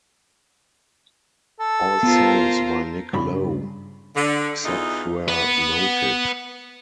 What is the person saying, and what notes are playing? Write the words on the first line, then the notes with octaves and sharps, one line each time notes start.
All songs by Nick Lowe, except where noted.
A4
B3 F4 A#4 C5
G2 C#3 B5
D3
E2 D#4 F4
B4 F#5